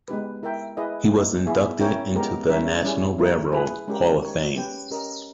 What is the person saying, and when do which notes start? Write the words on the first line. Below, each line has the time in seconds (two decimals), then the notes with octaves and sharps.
He was inducted into the National Railroad Hall of Fame.
0.08 G#3 B3 D#4 G4 B4
0.43 E4 A#4 E5 G5
0.77 E4 G#4 B4 D#5
1.12 G3 A#3 D#4
1.46 B3 E4 G#4
1.80 C#4 E4 A#4 C#5 G5
2.15 G#3 B3 G4 A#4
2.49 G3 C#4 E4 A#4 E5
2.84 G3 C#4 E4 G#4
3.18 G3 A#3 E4 A#4
3.53 E4 G#4 B4
3.88 G#3 C#4 G4 A#4
4.21 D#4 G4 A#4 C#5
4.56 C#4 G4 B4 G5
4.90 C#4 G4 A#4 D#5